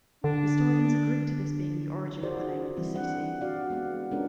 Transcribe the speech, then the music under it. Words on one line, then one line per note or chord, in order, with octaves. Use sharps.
Historians agree to this being the origin of the name of the city.
D3 D4
F4 F#4 G#4 A#4 C5 D5
E3 G3 C4 E4
G3 D4 F#5
F#4 D5 F5
G#3 B3 F#5
G#3 B3 C#4 D4 F4 A#4